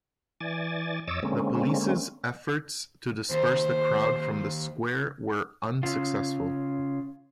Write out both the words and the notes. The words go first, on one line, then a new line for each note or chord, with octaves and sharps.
The police's efforts to disperse the crowd from the Square were unsuccessful.
E3 D5 G#5 A6
F2 C#5 D#5 D6 E6 A6
D3 G#3 A#3 C4 C#4
D#2 C5
C#3 F4